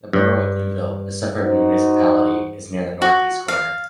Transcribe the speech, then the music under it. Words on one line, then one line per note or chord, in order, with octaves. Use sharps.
The borough of Newville, a separate municipality, is near the northeast corner.
G2
D#4 F#4 C5
F#4
F5